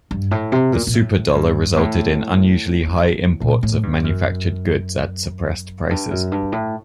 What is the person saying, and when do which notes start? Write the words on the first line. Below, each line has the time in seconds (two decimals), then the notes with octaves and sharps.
The "super dollar" resulted in unusually high imports of manufactured goods at suppressed prices.
0.11 G2
0.31 A2
0.52 C3
0.73 A#2
0.87 A#2
0.93 A2
1.35 G2
1.77 A2
3.41 A#2
3.63 A2
3.83 G2
4.04 F#2
5.90 G2
6.11 F#2
6.32 G2
6.52 A2